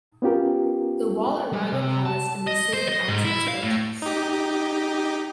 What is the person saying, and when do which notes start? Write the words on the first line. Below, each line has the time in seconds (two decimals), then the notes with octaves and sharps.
The wall around the palace and the city acts as fortress.
0.22 B3 C#4 F4 G4 A#4
1.53 G3
1.72 C3
2.05 A5
2.47 D#5
2.74 C5
2.89 D#5
3.09 G#2
3.25 E4
3.48 F5
3.64 A2
4.02 D#4 G4